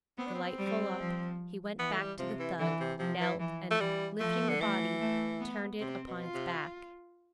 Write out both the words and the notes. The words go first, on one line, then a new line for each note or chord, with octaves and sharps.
The light full up, he went back to the thug, knelt and, lifting the body, turned it upon its back.
B3 C4
D4
C4
G3
F3
E3 B3
A3
G3
C3 F3
E3
D3 E3
C3
C3 F3
E3
E3
A3
E3 G3
F3 A3
D3
E3 A3
A3
B3
C3 C4
B2
F4
C3